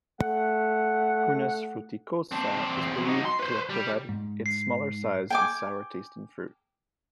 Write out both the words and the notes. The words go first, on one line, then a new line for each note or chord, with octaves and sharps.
"Prunus fruticosa" is believed to have provided its smaller size and sour tasting fruit.
A3 F#5
C4 D4
E2 C4
F#3 D#4
C6
B4 C5
G3
G#2
C7
G5 G#5 D6